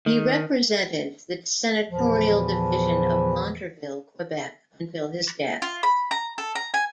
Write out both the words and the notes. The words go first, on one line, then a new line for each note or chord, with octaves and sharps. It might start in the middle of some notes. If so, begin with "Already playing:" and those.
He represented the senatorial division of Montarville, Quebec until his death.
D#3
E2 A#2 D3 E3 F3
F4
B5
A#5
A4
A#5
G#5